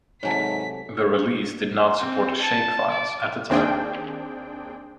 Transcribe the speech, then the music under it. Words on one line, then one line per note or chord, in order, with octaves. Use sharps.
The release did not support Shapefiles at the time.
G#2 C3 F#3 A3 C#5 G#5 A5 B6
C4
A5
D5
D#2 C4 D4 G#4 G5